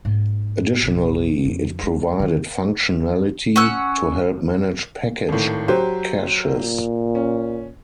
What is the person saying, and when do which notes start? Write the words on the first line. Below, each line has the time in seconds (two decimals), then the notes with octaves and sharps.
Additionally, it provided functionality to help manage package caches.
0.05 G#2 A#3
0.82 A1 B2
1.45 F2 F3
1.83 G#3
2.19 D3 D#3
3.56 C#4 F#5 E6 F#6
5.29 G#1 A2
5.68 F#3 G4 C5
6.54 A#2
7.15 C#4